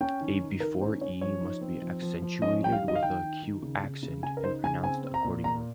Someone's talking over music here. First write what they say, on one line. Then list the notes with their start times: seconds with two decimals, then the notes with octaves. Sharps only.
A before e must be accentuated with the acute accent, and pronounced accordingly.
0.01 C#4 G5
0.21 D#3
0.41 D#3
0.60 D#3 A#4
0.81 C#4 C5
1.01 C#4 C#5
1.21 F3 C#5
1.41 D#4
1.61 C4
1.82 F3
2.02 F3
2.22 F3
2.42 C#4 D#5
2.62 G3 G5
2.72 F5
2.82 D#3
2.88 D#5
2.95 F5
3.02 D#3 G5
3.22 D#3
3.43 D#3
3.63 C#3
3.84 C#3
4.03 C#3
4.23 C#3 G#5
4.37 A#4
4.44 D#4 C5
4.64 C#3 G#5
4.84 C4 G#5
5.04 C4
5.14 A#5
5.24 A#2
5.44 A#2 A#5